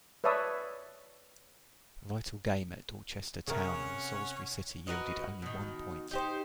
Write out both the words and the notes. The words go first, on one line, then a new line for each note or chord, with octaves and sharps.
Vital game at Dorchester Town and Salisbury City yielded only one point.
B4 C#5 D5 E5 A5 D#6
C3 C#4 G#4 A#4 C#5 E5 F#5
F#4 A#4 B4 D#5
B2 D#3
D#4 G4 C5